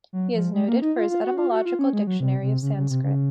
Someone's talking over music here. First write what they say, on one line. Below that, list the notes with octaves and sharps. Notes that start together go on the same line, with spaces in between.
He is noted for his etymological dictionary of Sanskrit.
F#3
F3
G#3
A#3
D#4
F4
F4
F#4
F4
F#4
F4
C#4
G#3
F#3
C3
C3
C#3
C#3
C3
C#3